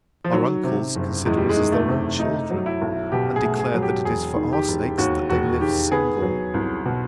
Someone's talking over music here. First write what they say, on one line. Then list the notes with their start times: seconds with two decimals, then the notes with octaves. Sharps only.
Our uncles consider us as their own children, and declare that it is for our sakes that they live single.
0.25 F3
0.33 D#3 F#3
0.64 C3
0.96 F#1
1.25 E2 G#3
1.37 G3
1.49 G#3
1.57 D#3
1.72 A3
1.88 C3
2.19 A3 D#4
2.50 F#3
2.66 E4
2.82 B1
3.12 B2 G4
3.36 G#4
3.43 A3
3.60 G#4
3.74 F#3
3.82 G4
4.05 E1 G#4
4.36 D#3
4.53 G4
4.68 E1
4.98 D#2 F#4
5.30 E1 F#4
5.61 D#3 G4
5.92 B3 G#4
6.22 F#3
6.54 C2
6.86 B2